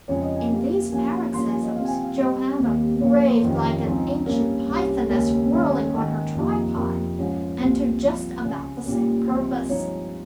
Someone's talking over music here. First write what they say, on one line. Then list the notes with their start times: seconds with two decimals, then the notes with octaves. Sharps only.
In these paroxysms, Joanna raved like an ancient Pythoness whirling on her tripod, and to just about the same purpose.
0.08 F2 C#3 G#3 C#4 C#5
0.22 D#5
0.36 G#5
0.50 C3 G3 A#3
0.92 C3 F3 A#3 C#4 G#5
1.34 G2 F3 A#3 C#4 C6
1.48 G#5
1.62 D#5
1.75 C3 F3 C4 F5
1.85 G#5
1.89 G5
2.03 F5
2.17 G2 G3 C4 D#5
2.59 D#2 D#3 G3 A#3
3.01 A#2 F3 A#3 C#5
3.15 C#5
3.29 C5
3.43 F2 C3 D#3 A#3 C#4
3.84 C#2 C#3 F3 C4 D#4
4.26 G2 G3 A#3 C#4 A#4
4.68 C2 C3 G3 C#4
5.10 D#2 C#3 G#3 C#4 A#4
5.52 G2 D#3 G#3 C#4
5.93 G#2 D#3 G#3 C#4
6.35 F2 C3 F3 A#3 D#4
6.77 F2 C3 F3 A#4
7.19 G#2 F3 G#3 C#4
7.60 C2 A#2 G#3 C4 C5
8.02 G2 F3 C4
8.44 C#2 C#3 G#3
8.86 A#2 G3 C#4
9.27 C#2 C3 F3 G#3 C4 C5
9.69 G2 F3 G#3 D#4 C#5